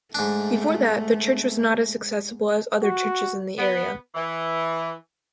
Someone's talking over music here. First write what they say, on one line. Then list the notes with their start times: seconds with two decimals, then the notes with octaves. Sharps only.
Before that, the church was not as accessible as other churches in the area.
0.15 G#2 A3 D4
2.83 F#4
3.59 B3
4.15 E3